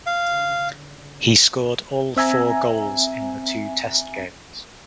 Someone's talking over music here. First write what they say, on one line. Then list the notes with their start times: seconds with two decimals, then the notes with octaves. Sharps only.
He scored all four goals in the two test games.
0.06 F5
2.17 C4 E5 G#5 A#5